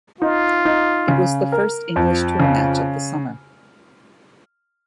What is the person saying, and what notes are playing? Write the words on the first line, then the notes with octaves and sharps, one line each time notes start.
It was the first English tour match of the summer.
D#4 F4
D#4
C#3
A#4
F2
C#3